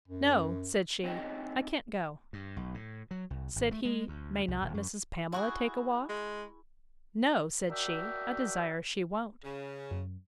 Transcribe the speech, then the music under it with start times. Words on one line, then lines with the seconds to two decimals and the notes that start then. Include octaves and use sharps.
No, said she, I can't go. Said he, May not Mrs. Pamela take a walk?--No, said she; I desire she won't.
0.08 F#2
1.04 C4 C#4 D#4 C#5 D#5 G5
2.33 G2
2.57 B1
2.74 A2
3.11 F#3
3.30 C2
3.56 G#1
3.71 A3
3.85 G#3
4.08 D2
4.48 C2
4.62 D#1
4.74 F#2
5.32 E4 F#4 G#4
6.09 G#3
7.69 D4 F#4 A#4 D#5 E5 G5
9.44 C#3
9.91 F#2